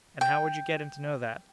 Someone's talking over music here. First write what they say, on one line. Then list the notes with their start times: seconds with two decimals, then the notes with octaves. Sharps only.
"And how would you get him to know that?"
0.21 G5